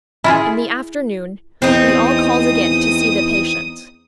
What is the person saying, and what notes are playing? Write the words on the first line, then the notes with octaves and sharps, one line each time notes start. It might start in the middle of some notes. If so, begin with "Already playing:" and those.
In the afternoon we all called again to see the patient.
E4 F4 G#4
E2 C4 D#4 D#6